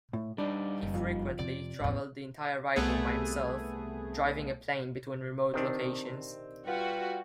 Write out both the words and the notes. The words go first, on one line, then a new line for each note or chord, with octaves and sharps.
He frequently traveled the entire riding by himself, driving a plane between remote locations.
A2
G3 D4 D#4
F#1
F2
C3 D5
A1 E2
C2 A3 B3 G#4
C3 D#3 C4 D4
G3 F4 F#4 B4